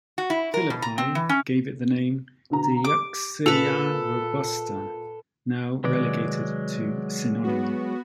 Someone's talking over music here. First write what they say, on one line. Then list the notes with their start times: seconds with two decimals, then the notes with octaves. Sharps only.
Philippi gave it the name "Deyeuxia robusta", now relegated to synonymy.
0.18 F#4
0.30 E4
0.54 A#4
0.70 B2
0.82 A#5
0.98 C4
1.15 E3
1.29 C#4
2.50 B2 D3 A#5
2.84 G4 D6
3.46 A#2 G#4 A4 B4 F7
5.84 C3 D#3 F#3 G#3 B4 D5
7.44 B3 F#4